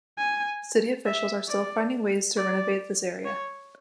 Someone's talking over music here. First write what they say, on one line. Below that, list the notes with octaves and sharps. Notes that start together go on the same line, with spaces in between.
City officials are still finding ways to renovate this area.
G#5
E5
D5
D5
C#5